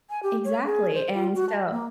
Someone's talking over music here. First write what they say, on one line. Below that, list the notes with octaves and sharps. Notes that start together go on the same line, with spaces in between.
Exactly. And so
G#5
G4
C#5
G#4
C5
F4
F#4
A5
A#3